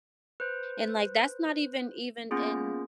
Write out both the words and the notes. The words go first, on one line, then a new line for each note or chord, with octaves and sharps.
and, like, that's not even even in
B4 C5
A#3 B3 C#4 F4 G#4